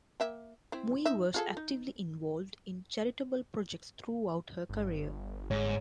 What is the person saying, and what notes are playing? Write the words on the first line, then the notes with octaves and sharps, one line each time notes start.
Mui was actively involved in charitable projects throughout her career.
A#3 E5 G5
C4 E4
D#4 E5
F4 G#4 A4
D#4
G1
G#2 C#5